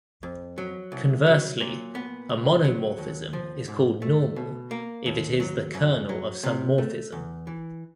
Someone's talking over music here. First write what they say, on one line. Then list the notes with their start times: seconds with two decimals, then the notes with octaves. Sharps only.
Conversely, a monomorphism is called "normal" if it is the kernel of some morphism.
0.23 F2
0.58 F#3
0.92 C2
1.26 F#3
1.61 A#2
1.95 B3
2.29 C#2
2.64 F#3
2.98 D#2
3.33 F3
3.68 G#2
4.02 A3
4.36 B2
4.71 A#3
5.06 D#2
5.40 F#3
5.75 F#2
6.09 F#3
6.43 C3
6.78 A3
7.12 E2
7.47 E3